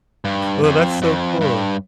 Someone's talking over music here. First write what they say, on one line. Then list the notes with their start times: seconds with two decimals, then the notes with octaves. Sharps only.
Well, that's so cool.
0.25 G2
0.64 F2
1.02 F2
1.41 G2